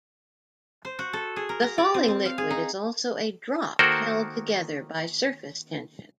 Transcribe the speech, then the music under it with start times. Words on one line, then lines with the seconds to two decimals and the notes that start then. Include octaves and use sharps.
The falling liquid is also a drop held together by surface tension.
0.85 C5
0.99 F#4
1.13 A4
1.36 G#4
1.49 A#4
1.63 A#5
1.78 D5
1.94 C4
2.08 C4
2.25 F5
2.38 G#4
2.50 D#4
3.79 D#3 A#3 F#4 A4 A#4 C5